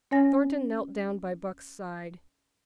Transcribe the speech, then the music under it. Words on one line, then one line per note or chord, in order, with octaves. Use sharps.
Thornton knelt down by Buck's side.
C#4 C#5 G#5 A#6